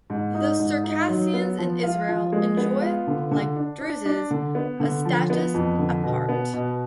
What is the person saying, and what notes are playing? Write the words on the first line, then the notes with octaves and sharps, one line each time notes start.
The Circassians in Israel enjoy, like Druzes, a "status aparte".
G#2
D#4
G#2
D#4
F#3
B3
F3
F4
F3
G#3
B3
F4
D3
D3
D4
D4
D4
D3
B3
D3
F3
B3
F2
D3
B2
B3
B2